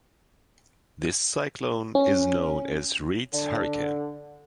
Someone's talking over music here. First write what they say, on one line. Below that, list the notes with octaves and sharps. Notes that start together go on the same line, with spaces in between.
This cyclone is known as Reid's Hurricane.
C#4
D3